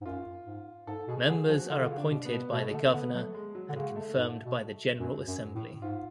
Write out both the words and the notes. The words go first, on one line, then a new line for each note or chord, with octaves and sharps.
Members are appointed by the Governor and confirmed by the General Assembly.
G#2
F#2 F4
G#2
G#2 A4
B2 G#4
D3 G#4
F3 F#4
D3 F4
D3
C#3
D4
B2
B3
B2
B2 A3
D3 A3
D3 B3
F#3 A3
G#3
F#3
D3
C#3 G#3
A3
G#2
B2
F#2 F#3
F#2
A2
G#2 F4